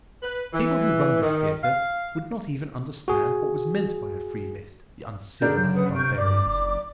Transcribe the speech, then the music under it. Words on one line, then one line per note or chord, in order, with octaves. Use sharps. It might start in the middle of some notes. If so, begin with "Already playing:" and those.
But the people who run this theatre would not even understand what was meant by a 'free list,' the uncivilised barbarians!
B4
E3
D#3
F5
F#4 G#4
D3 D4 G#4 A#4 G6
C#3 F#3
B4 F#5 D#6
C3 C#6 F6 G6 D7
G2 D5 D6
F#1